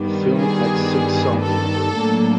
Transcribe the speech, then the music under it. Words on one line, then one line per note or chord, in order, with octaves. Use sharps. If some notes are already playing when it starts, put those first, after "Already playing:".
The film had six songs in it.
Already playing: G2 D#3 G3 B3
G#4
A4
A2 F#3 A#3 D4